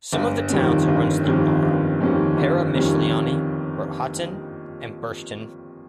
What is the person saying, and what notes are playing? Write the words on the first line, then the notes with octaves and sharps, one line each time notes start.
Some of the towns it runs through are: Peremyshliany, Rohatyn, and Burshtyn.
G1
F2 D#3 G3 C#4
G1
F2 D#3 G3 C#4
G1
F2 D#3 G3 C#4
G1
F2 D#3 G3 C#4